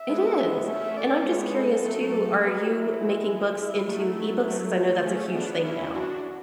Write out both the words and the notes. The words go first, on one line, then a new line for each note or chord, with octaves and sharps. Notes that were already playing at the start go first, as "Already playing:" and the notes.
It is. And I'm just curious, too, are you making books into e-books? 'Cause I know that's a huge thing now.
Already playing: E5
G#3 B3
A3 C#4 E5
D5
G#3 B3 C#5
A4
F#3 A3
F#3 B4
E4
G#3
E4
F#3 A3 E4
F#3 A3
F#4
A3 C#4 G#4
B3 D4
C#4 E4
D4 F#4